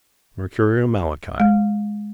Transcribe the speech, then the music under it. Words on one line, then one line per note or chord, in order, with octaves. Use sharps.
Mercurial Malachi.
G#3